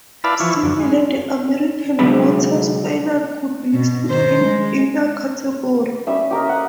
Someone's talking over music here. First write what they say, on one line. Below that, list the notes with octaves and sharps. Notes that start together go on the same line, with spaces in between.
Similarly, the American Water Spaniel could be listed in either category.
E4 B4 D5 F5 A5 B5
E3 F3 E4 C#6
F#2 D3
G#3
C2 D3 F#3 G#3 B5
B2
D#3 C5
G#3
G3 C#4 E5
G4 A#4 D#5
F#5